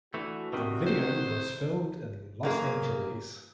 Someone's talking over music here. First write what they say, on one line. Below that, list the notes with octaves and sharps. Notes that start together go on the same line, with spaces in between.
The video was filmed In Los Angeles.
E3 A3 D4 F#4
C3 D#3 E3
C5
F#2 A#3 G#4